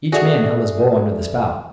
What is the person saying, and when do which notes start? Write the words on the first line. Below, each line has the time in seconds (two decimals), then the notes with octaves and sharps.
Each man held his bowl under the spout.
0.12 F#4 G#4 A4 D5 E5